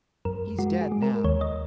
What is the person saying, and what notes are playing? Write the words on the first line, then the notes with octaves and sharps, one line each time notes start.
He's dead, now.
F#2 A#4
G#3 F#4
G#4
G#3
A#4
D#2 C#5
D#5